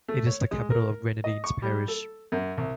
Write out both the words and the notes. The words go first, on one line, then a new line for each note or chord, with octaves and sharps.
It is the capital of Grenadines Parish.
A3
C#5
G#3
A#4
D#5
C#6
G3
A4
F#2
C2